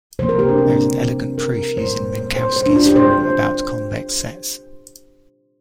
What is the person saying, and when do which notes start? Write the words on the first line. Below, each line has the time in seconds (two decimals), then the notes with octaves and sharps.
There is an elegant proof using Minkowski's theorem about convex sets.
0.19 C3 F3 A#3 C5
0.29 A#4
0.39 G4
0.49 D4
0.58 C4
1.38 A#4
1.77 A#2 G3 A#3 C5
2.17 C5
2.36 C5
2.56 C5
2.66 D4
2.76 F4
2.86 G4
2.96 C5